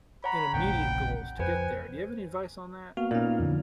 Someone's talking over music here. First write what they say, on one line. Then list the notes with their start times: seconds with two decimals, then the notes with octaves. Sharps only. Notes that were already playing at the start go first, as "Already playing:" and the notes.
intermediate goals to get there. Do you have any advice on that?
0.24 C#5 F#5 A#5 B5
0.54 F1 A#1 C#3 F#5 G5
1.39 F2 B4 C5 G#5
2.97 A#3 B3 F#4 F5
3.11 A#2 C#4 D#4 A#4
3.40 F2 D3